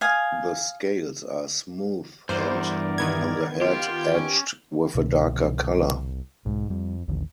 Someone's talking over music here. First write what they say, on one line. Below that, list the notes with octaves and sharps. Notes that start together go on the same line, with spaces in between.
The scales are smooth and, on the head, edged with a darker colour.
F5 G#5 D#6
E2 G2 A#4 C5 D5
D#3 B3 G#6
F4 G4
C#4
C2 B2 D3 E3
B1 G#2 G#3
F2 G3
A1 D#2 D3 F3